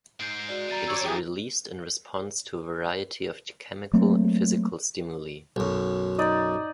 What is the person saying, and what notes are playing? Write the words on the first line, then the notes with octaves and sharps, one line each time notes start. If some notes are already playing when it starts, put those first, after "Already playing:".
It is released in response to a variety of chemical and physical stimuli.
G#2 G#3 G6 C7 D7
F#4 D5
E2 G3 A#5 A6 D#7
D#3 A4 C#5 D6 E6
G2 E3 F#3 E4 G4 G#4
F#3 A3 A#3 C4
B1 F#2
D#4 D5 D#5